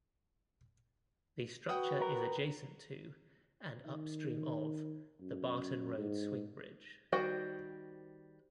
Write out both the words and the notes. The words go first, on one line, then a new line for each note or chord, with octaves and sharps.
The structure is adjacent to, and upstream of, the Barton Road Swing Bridge.
F#4 B4 F#5 G5 D#6
A#4
D#3
F#2
G#2
D#3 G3 F#4 C5 G5